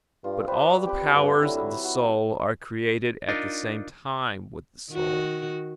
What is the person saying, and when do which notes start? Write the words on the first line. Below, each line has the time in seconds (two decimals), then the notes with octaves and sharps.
But all the powers of the soul are created at the same time with the soul.
0.24 G2 F4
0.47 G4 B4 C5 D5
0.86 C4 G4 B4
1.15 G2
1.43 D3 F#3 E4
1.84 F#4
3.29 D4 D#4 F4 A#4 D#5
4.91 D#3 F#4